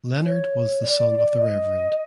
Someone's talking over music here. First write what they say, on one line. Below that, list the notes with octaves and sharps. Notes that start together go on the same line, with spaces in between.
Leonard was the son of the Rev.
C#5
D5
D#5